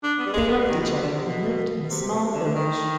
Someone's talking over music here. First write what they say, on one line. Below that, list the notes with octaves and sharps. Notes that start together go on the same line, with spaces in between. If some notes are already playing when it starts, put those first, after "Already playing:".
They loved each other and lived in a small village.
D4
B3
G3
G#3
B3
G3
D#3
B2
C3
D3
C3
B2
B2
C3
C3
B2
C3
D3
D3
D#3